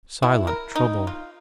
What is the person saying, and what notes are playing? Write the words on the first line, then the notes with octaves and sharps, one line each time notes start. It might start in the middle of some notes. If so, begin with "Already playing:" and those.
Silent trouble.
E4
A#4
D#4
F4